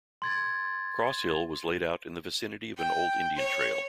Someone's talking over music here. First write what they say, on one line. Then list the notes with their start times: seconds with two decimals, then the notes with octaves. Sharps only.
Cross Hill was laid out in the vicinity of an old Indian trail.
0.22 C6 G#6 A6
2.77 G5
3.36 C#5